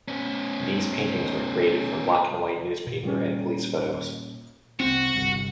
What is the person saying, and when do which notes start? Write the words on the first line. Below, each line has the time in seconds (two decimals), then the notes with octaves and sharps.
These paintings were created from black-and-white newspaper and police photos.
0.08 B3 C#4
2.87 A#2
3.03 A#2 G3 C#4
4.80 C2 C4 F#4
5.14 G1 C2